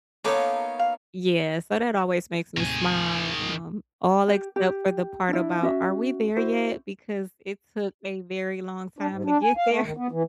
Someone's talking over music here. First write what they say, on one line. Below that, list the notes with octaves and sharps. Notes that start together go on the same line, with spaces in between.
Yes, so that always makes me smile, um, all except for the part about "are we there yet" because it took a very long time to get there.
A#3 B3 C#4 D#4 A4 C#5 D6
F5
D#2 A2 C3 D#3 G#4
G4
G4
D4 E4
C#4 F#4 E5
E4 F#4 C5
D4
G#2
D4
G#5
F5
A3
D#3
B3
E3